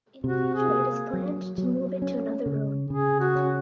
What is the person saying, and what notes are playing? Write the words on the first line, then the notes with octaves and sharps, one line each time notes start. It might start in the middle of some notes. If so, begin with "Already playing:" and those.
In the future it is planned to move it to another room.
C3 F#4
G#4
A#3
F#3
F#3
C#4
C#3
C#3 G#4
F#4
C#4